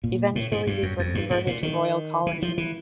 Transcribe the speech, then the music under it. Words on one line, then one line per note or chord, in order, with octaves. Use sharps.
Eventually, these were converted to royal colonies.
A#2
A2
G#2
G2
F#2
F2
G2
G#2
A#2
D#3
E3
F3
E3